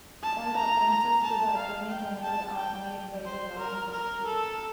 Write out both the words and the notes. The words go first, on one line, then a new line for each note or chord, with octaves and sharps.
All references to the Attorney General are made by the Law Ministry.
A5
A#5
A#5
A5
F5
G5
A5
G5
C5
A#4
A#4
A4